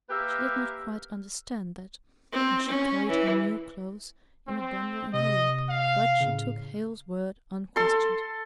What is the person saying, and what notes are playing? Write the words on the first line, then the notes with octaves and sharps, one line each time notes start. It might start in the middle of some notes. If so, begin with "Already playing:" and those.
She did not quite understand that, and she carried her new clothes in a bundle in her lap, but she took Hale's word unquestioned.
A#3 G4 A#4 B4 E5
C4
C#4
E3
C4
C3 D#5
F5
A2 C#3
A4 C6